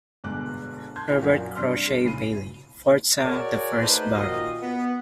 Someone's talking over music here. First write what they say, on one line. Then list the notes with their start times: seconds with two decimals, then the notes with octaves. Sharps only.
Herbert Crawshay Bailey, fourth son of the first Baron.
0.24 G1 B2 G#3 D6 F#6
0.96 A5 C6 G6 G#6
1.08 A#2 E3 C#5 F5 B6
1.22 F#2 F#4 A#4 D5 F5 B6
1.55 G2 C3 D5 C6 F6
2.04 A2 C#3 B5 C7 D#7
3.23 F#4 G#4 A#4 C#5 D5
3.81 A3 D#4 B4 C5
4.14 A#2 D#3 F4 F#4 D#5
4.63 B3